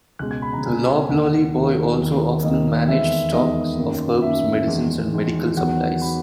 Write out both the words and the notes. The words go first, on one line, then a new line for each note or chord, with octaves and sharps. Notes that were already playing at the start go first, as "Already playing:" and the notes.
The loblolly boy also often managed stocks of herbs, medicines and medical supplies.
C#2 B2 G#3 F#6
G#6
B5
A#5
C#2 B2 G#3 G#5
D#2 D#3 A#3 F#5
D#2 D#3 A#3
D#2 D#3 A#3
D#2 D#3 A#3 D#5
E2 D#3 G#3 B3 E5
E2 D#3 G#3 B3 D#5
F#2 D#3 A#3
F#2 D#3 A#3 E5
E2 D#3 G#3
E2 D#3 G#3
E2 D#3 F#3 B3 F#5
D#3 F#3 B3 B5